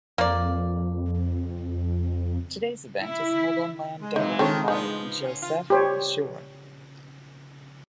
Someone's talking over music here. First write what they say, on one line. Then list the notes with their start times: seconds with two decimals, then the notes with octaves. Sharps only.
Today's event is held on land donated by Josef Pschorr.
0.18 F2 A#3 D5
3.02 E4
4.02 G#3
4.16 A#2 E3 F#3 D#4
4.39 D#3 C4 D4 F4 A4 C#5
4.68 F3 B3 D#4
5.24 C#4
5.42 F4
5.70 G4 C5 C#5